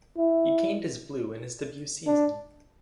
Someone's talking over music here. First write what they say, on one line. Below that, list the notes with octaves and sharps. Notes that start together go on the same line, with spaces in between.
He gained his blue in his debut season.
E4
D4